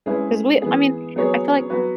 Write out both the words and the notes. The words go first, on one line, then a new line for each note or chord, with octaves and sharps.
'Cause we I mean I feel, like,
G#3 C#4 E4 G#4 B4
E3 B3 G#4
F#3 B3 G#4 C#5
F#3 B3 F#4 B4